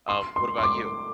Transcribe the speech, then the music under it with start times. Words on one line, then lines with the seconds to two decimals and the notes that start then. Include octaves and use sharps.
Um, what about you?
0.09 C6
0.36 C6
0.58 C6
0.63 D6